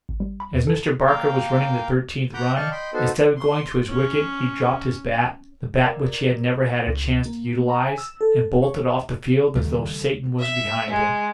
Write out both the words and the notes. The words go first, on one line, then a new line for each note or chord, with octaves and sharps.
As Mr. Barker was running the thirteenth run, instead of going to his wicket he dropped his bat--the bat which he had never had a chance to utilise--and bolted off the field as though Satan was behind him.
G#1
G3
B5
E2
A4
A#3 A#4 F5 G5
F#5 A#5 B5 D6 G6
D5 D#5 F5 G5 A5 C#6
D#5 G5 B5 C6
B3 D#4 F#4 A4 C5
C6
C#4
A#4 D5
C#2
A#3
A#5
G#5
E6
A4
C#5
D#2 C#3 G3 A3
E5
G#3